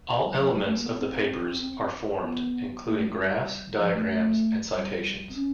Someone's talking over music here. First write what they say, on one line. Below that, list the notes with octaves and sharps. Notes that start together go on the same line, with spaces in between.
All elements of the papers are formed, including graphs, diagrams, and citations.
G3
F#3
G3
A3
A#3
B3
C4
B3
A#3
A3
G#3
G3
F3
A3
A3
G3
C4
C#4